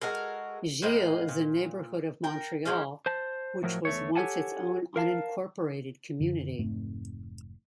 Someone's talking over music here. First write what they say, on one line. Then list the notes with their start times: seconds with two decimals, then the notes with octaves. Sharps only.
Gile is a neighborhood of Montreal which was once its own unincorporated community.
0.01 G#3 F#4 A4 A#4
0.82 A2 A#3 C5 D#5
1.28 A#2
2.24 A#4 G5
2.65 E3 F3 G#3 C#4
3.06 C5 A5
3.63 A2 F3 F#3 A#4
3.85 E2 A3 C#5
4.15 G4 A4 C#5 F#5 G#5 A5
4.96 A#4 F5 A5
6.20 F#2 D3
6.59 F1 G#2 A3 C4